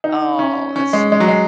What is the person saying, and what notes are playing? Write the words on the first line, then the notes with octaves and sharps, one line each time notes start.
Oh, that's too bad.
D#4
C#4
C#4
G#3
G#3
F#3
G#3